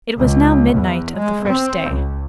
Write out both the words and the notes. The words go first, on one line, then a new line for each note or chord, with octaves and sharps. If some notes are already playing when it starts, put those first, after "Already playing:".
It was now midnight of the first day.
C#2
E2
G#3
C4
C#2